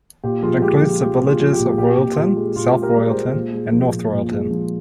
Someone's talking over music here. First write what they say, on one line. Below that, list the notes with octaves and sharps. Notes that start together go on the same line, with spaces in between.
It includes the villages of Royalton, South Royalton, and North Royalton.
A#2 G4
F3 F4 G#4
G#3 G4
F3 G4
F3 G4
A#2
F4 G#4
F3
G4
A#2
G#4
A#2 G4
A#2
F4
A#2 G4
G#3
A#2 F4 G#4
G#3
G4 A#4
G#3 D5
G#4 C5
G#3
A#2
G#3
F3
A#2
A#2
G#3
F3